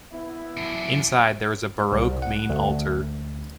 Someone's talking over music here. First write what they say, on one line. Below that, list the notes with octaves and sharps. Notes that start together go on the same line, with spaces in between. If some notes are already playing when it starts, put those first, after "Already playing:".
Inside there is a Baroque main altar.
B3 E4
F#2 D4
C2
F#5
D2